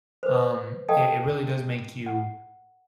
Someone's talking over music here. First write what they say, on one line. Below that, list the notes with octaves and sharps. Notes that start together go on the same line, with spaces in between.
um, it it really does make you
B4 C5
A4 D#5 F5 G5 A5
F#5